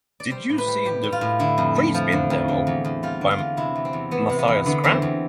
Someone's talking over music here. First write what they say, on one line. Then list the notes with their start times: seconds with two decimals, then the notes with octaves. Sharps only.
Did you see the "Freespin demo" by Matthias Kramm?
0.20 D5
0.31 G3 C5
0.49 A2
0.58 B4
0.68 G3
0.85 A2 G4
1.03 G3
1.12 F4
1.21 A2
1.39 D3 E4
1.58 F2
1.76 A3
1.94 F3
2.12 D3
2.30 F2
2.48 D3
2.67 E2
2.85 E2
3.03 G3 F4
3.21 D3
3.31 F4
3.38 E2
3.57 C3 E4
3.76 E2
3.85 C4
3.93 E2
4.11 E3 B3
4.29 C3
4.39 B3
4.48 E2
4.66 D3 B3
4.84 E2 C4
5.02 E2